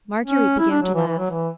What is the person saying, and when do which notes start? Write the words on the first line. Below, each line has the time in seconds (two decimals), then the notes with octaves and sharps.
Marguerite began to laugh.
0.24 C#4
0.59 E4
0.71 D4
0.82 F#3
0.94 E3
1.07 E3
1.18 F#3
1.31 E3